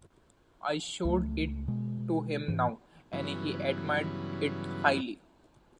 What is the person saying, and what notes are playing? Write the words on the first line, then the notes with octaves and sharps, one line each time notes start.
I showed it to him now, and he admired it highly.
C#2 F3 A3
B2 G#3
G#2 E3
G2 C#3 E3 F#3 B3